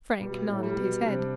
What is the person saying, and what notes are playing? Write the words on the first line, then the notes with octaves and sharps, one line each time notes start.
Frank nodded his head.
B2 G3
A2
G3
B2
C3 D4